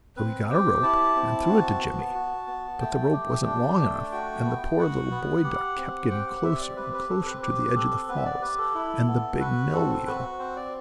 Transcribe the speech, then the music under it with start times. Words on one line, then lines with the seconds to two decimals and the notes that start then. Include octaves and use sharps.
So he got a rope and threw it to Jimmie, but the rope wasn't long enough, and the poor little boy duck kept getting closer and closer to the edge of the falls, and the big millwheel.
0.17 C4 B4
0.50 G4 G5
0.83 E4 A5
1.16 C4
1.49 F#4
1.81 B3
2.15 F#4
2.47 B3
2.80 A3 G5
3.13 G4
3.46 D4
3.80 A3
4.12 F#4 G5
4.45 B3
4.79 F#4 F#5
5.11 B3
5.44 G4
5.78 C4
6.11 G4 G5
6.26 F#5
6.44 C4 E5
6.60 D5
6.77 G4 B4
6.93 B4
7.09 C4 A4
7.26 B4
7.42 G4 B4
7.75 C4 A4
8.08 B3 B4
8.17 E5
8.25 D5
8.41 G4 B4
8.58 A4
8.75 E4
9.08 B3
9.40 F#4 B4
9.73 C4 A4
10.07 F#4 B4
10.39 C4 C5
10.56 D5